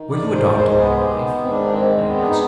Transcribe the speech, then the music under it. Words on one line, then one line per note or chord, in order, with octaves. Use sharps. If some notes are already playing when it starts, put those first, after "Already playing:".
"Were you a doctor when alive?" I asked.
Already playing: D#3
D5
G#2
C5
G#3
C5
B3 G#4
G4
D#3
G#2 C4
D4
G#3 C4
B3
D4
D#4